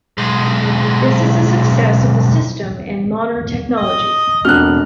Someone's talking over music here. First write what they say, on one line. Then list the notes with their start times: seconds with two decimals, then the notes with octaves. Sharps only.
This is a success of the system and modern technology.
0.18 B1 G#3
3.77 D#5
4.45 E1 A3 C4 D4 F#4 F6 F#6